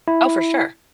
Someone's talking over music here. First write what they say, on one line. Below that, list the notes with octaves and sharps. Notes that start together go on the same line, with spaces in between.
Oh, for sure.
E4